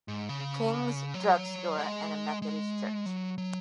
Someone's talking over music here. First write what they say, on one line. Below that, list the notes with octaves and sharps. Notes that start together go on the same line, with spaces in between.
King's drug store, and a Methodist church.
G#2
C#3
F#3
G#3
G#3
F#3
F#3